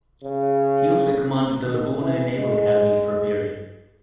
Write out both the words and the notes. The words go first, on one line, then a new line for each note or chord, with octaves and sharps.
He also commanded the Livorno Naval Academy for a period.
C#3
D#3
E3
G#3